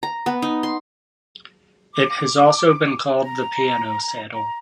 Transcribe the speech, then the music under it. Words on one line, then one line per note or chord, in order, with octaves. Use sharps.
It has also been called the Peano saddle.
A#5
B3
D#4
C6
D6
A#5
A#5